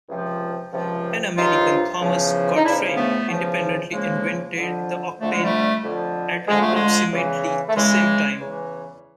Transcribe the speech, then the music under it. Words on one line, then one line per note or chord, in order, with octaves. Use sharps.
An American, Thomas Godfrey, independently invented the octant at approximately the same time.
C#2 C3 F3
C#2 C3 F3
C#2 C3 F3 D#4 F4
E2 C#3 F3
D#4
E2 C#3 F3 D4 E4
A3 B3
E2 C#3 F3
E2 C#3 F3 G#3 A#3
F2 D3 F3
F2 D3 F3 A3
G#3
G3 A3
F2 D3 F3
F2 D3 F3 G#3
A3
G#3
E2 C#3 E3
A3
E2 C#3 E3 G#3
E2 C#3 E3